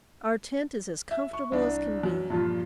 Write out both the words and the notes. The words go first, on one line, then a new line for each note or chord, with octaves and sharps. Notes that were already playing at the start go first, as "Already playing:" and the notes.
Our tent is as comfortable as can be.
E5
C#6
C2 D4
F#2
G2 A#2 F3 F4